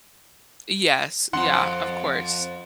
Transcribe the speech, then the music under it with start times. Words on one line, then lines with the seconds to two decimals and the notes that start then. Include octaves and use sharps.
Yes. Yeah, of course.
1.33 F2 F#5 C6